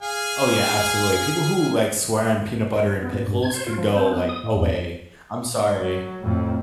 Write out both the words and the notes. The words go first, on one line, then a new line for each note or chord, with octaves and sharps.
Oh, yeah. Absolutely. People who, like, swear on peanut butter and pickles can go, like, away. I'm sorry.
G#4 F5 G#5
B3
A#2
G2
G#6
C5
F4
F3
C4
B3
D#6
A2
E2
F#3
F2 A2